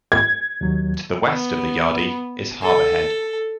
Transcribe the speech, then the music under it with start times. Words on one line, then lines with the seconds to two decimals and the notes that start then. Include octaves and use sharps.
To the west of The Yardie is Harbourhead.
0.12 G#6
0.61 D#2 F#3
1.29 B3
2.62 A4